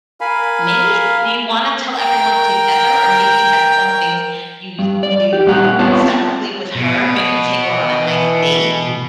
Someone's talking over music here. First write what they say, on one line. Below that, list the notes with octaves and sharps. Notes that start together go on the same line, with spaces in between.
maybe do you wanna tell everyone together or maybe that's something you you do separately with her? Maybe you take her on a nice date?
A#4 F5 G#5 B5
A#4 G5
G2
D5
G4
A#2 G3 A#3 F#5 A#5
B3 C4 F4 B4 C#5 A5
B2
E3